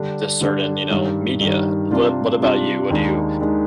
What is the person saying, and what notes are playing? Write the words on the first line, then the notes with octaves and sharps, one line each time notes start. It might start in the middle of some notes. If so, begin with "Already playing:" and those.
this certain, you know, media. What a what about you? What do you
Already playing: D3 G3 D4
D3 G3 D4
G2 D#3 G3
G2 D#3 G3
C3 G3 D4 F4
C3 G3 D4 F4
D#2 D#3 G#3 D4
D#3 G#3 D4